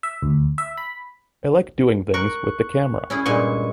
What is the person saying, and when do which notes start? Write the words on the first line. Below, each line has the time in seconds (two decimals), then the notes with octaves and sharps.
I like doing things with the camera.
0.03 E5
0.22 D2
0.58 E5
0.77 B5
2.14 A#4 C#6 F#6
3.10 C#4 E4 G#4
3.26 G2 A#2 G#3 G#5 C#6